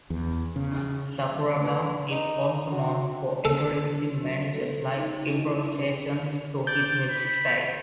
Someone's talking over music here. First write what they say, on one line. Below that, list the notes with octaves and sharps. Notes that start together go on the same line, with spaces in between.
Sakuraba is also known for introducing many jazz-like improvisations to his music style.
E2
C#3
B4
D#4
F#4
A4
F#3
A4
D#4
E4
C3
D5 G6
B5